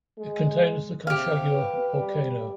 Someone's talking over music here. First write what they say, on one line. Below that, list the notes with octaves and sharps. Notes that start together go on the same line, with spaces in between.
It contains the Conchagua volcano.
G#3
C3 G4 F5
B4
G3